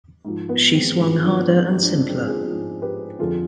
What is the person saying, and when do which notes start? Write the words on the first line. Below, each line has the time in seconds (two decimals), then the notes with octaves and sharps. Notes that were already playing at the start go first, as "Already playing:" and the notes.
She swung harder and simpler.
0.25 G#2 F3
0.49 B3
0.74 G#3 C4
0.98 G#2 F3
1.23 D4 F4
1.47 G#3 C4
1.72 G#2 F3 D#4 G4
1.82 D4
1.90 G#3 C4
2.09 G#3 C4
2.27 F4 G#4
2.45 G#2 F3
2.82 G4 B4
3.19 F2 D3 F3 F4 G#4